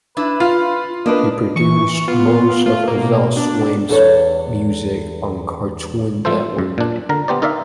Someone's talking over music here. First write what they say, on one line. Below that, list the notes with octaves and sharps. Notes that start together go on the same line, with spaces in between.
He produced most of Adult Swim's music on Cartoon Network.
D4 E4 B4
F4 F5
A#3 D4 B4 D#5
E3 C#6
B3 F4
A3 F4
B2 A#3
D4
E2 A4 C#5
F3 A3 F4 A4 C5
F#2
A#2 D4
D3 A#4 A#5
B3 G4 C5 D5
D#4 A#4 D5 E5 F5